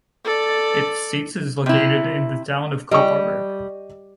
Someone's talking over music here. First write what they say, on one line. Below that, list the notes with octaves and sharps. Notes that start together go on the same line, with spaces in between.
Its seat is located in the town of Kopparberg.
A4 D5
C3 E4
G3 D#5 G5 C#6